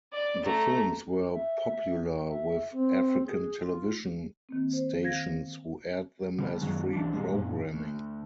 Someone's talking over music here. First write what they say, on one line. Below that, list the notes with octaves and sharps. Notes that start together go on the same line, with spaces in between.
The films were popular with African television stations, who aired them as free programming.
D5
A3 A#5
E5
E5
C4
G#4
F4
D#3 A#3 C4
C5
D#3 F5 G#6 A#6
D3 G3
F#2 D#3 F#3 G#3
B1 E3 D4
D#2 A#2 G3 G#3
F#2 A#2
D2